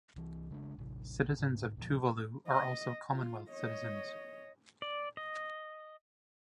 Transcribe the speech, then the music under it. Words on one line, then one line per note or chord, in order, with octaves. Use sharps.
Citizens of Tuvalu are also Commonwealth citizens.
C2 E3
C#3 G#3 C#4 D4
A1 C3
D2 G#2 C#4
D2 A#2 F3
D#5
F4
C#5 D#5
D5
D#5